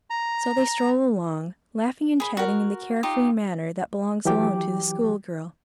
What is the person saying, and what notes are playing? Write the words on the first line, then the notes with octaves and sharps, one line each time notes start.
So they strolled along, laughing and chatting in the care-free manner that belongs alone to the school girl.
A#5
G#4 B5
F#4 A#4
D#4 F4 G4
E3 F#3 G4 G5 D6